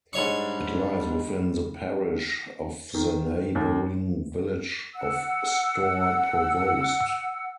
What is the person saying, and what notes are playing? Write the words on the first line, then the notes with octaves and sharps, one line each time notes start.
It lies within the parish of the neighbouring village of Stour Provost.
G#2 G3 D4 C#5 C#6
D#3
D#2
F#5 E6